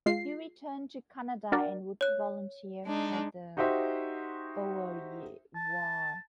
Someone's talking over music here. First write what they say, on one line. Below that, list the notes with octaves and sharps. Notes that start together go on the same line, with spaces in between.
He returned to Canada and would volunteer for the Boer War.
G#3 F4 C7
D4 F#4 A#4 D5
C#5 F#6
G#3 D4 D#4
D#4 F#4 G4 C5 E5
A5